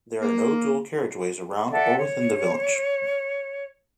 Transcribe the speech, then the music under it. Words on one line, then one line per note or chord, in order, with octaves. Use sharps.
There are no dual carriageways around or within the village.
A#3
A4 D5 E5 F#5
C#5